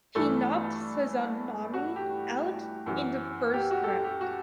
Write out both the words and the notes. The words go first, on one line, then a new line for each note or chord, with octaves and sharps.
He knocked Sazanami out in the first round.
G2 E3 A3 A4
F#4
G4
F#2 E3
G4
F#4
A4
G4
G4
F#4